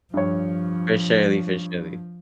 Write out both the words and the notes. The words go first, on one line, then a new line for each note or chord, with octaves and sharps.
for surely, for surely.
G2 F3 C#5